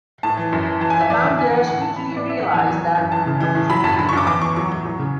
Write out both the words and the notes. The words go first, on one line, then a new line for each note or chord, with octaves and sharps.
The founders quickly realize that would not be enough.
A2 A5
E3
F#2
E3
E3 A5
G#5
E3 E5
E2 D5
D3 E5
E3 G#5
E3 F#5
A2 F#5
A2 A5
E3 B5
A2
D5
E3 E5
A2 F#5
E2 G#5
F#3
E3
F#2
E3 A5
C#3
E3
A2
F#3 B5
F#2 A5
D3 B5
C#6
F#2 D6
E2 D6
E2 C#6
F#3 C#6
A2
F#3
C#3